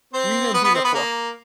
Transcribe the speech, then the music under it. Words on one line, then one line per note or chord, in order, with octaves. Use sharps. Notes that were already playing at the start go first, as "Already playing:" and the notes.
William B. McCulloch.
C4 C5
B3 B4
B3 B4
C4 C5
B3 B4
A#3 A#4